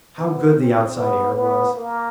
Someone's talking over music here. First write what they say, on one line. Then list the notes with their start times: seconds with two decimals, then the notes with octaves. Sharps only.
How good the outside air was!
0.17 B3
0.56 C4
0.96 B3
1.35 B3
1.75 A#3